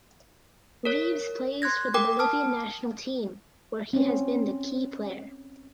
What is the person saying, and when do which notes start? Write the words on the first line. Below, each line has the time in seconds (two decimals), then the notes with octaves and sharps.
Reaves plays for the Bolivian national team where he has been the key player.
0.85 A#4 C#5
1.62 C6 F#6 G#6 A#6
1.94 A#4 G5 D6
2.19 A5 D#6 F6
3.93 C4 C#4